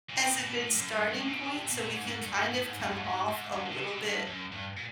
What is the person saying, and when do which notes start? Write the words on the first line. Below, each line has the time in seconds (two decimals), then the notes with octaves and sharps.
as a good starting point, so we can kind of come off a little bit
0.09 A#2
0.21 B2
0.34 A#2
0.46 B2
0.59 A2
0.75 F#2
0.92 G2
1.08 G2
1.20 A2
1.28 A#2
1.32 B2
1.44 C3
1.57 C3
1.64 A#2
1.69 B2
1.82 A#2
1.93 G#2
2.06 G#2
2.22 G2
2.33 G2
2.39 G#2
2.55 A2
2.67 G#2
2.80 G2
2.91 G2
3.03 G#2
3.28 G#2
3.53 G2
3.66 A2
3.73 C#3
3.77 C3
3.84 A#2
3.90 B2
4.02 G2
4.27 F#2
4.52 G2
4.76 A#2